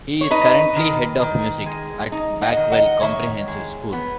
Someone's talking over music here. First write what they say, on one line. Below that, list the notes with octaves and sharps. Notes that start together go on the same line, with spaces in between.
He is currently head of music at Backwell Comprehensive school.
C#5
D#4 B4 D#5
D#3
D#3
G#3
D#4
D#5 F#5
D#3
D#5 F#5
D#3 C#5 E5
G#3
B3